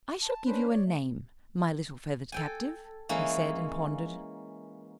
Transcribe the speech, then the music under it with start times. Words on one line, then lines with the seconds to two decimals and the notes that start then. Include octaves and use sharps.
"I shall give you a name, my little feathered captive," he said, and pondered.
0.23 A5
0.46 C#4 D4 B4 C5
0.68 C#5 D5
0.84 A3
2.32 A4 G5 G#5
3.09 E3 G#3 A#3 C#4